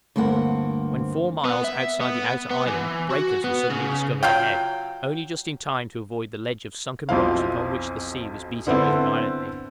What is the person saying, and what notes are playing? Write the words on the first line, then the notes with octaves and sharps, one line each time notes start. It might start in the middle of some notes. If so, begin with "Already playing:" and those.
When four miles outside the outer island, breakers were suddenly discovered ahead, only just in time to avoid the ledge of sunken rocks upon which the sea was beating most violently.
D2 G2 A#3 C4 F#5
B3
E5
B3
B3
E3
F#4
B3
C#3
F#3 F4 F5 G5
B1 F2 F3 C4 E4 F5
D3 B3 C4 E4 A4